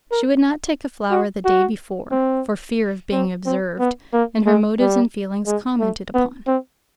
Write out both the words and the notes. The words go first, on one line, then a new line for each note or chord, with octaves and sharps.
She would not take a flower the day before, for fear of being observed, and her motives and feelings commented upon.
A#4
F#4
F#4
C4
C4
C4
B3
A#3
G#3
G3
G#3
A3
B3
C4